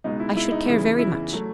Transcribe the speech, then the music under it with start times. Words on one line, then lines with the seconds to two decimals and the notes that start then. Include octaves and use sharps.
I should care very much.
0.04 C#2 B2 G#3 D#4
0.20 E4
0.36 E4
0.52 D#4
0.67 E2 C#3 E3 E4
0.99 E4
1.32 F#3 A3